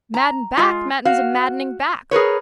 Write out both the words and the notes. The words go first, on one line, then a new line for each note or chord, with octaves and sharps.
Madden back Madden's a maddening back.
A#5
G#3 F4
F#4 F5
G#4 A#4 B4 C#5